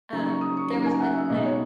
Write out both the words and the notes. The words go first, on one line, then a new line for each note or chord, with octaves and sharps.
Um, there was one time
C#3 F#3 A#3 D#4 A#5
C#6
D#6
C#6
C#3 F#3 A#3 D#4 A#5
G#5
F#5
E5
B2 G#3 B3 D#4 D#5
C#5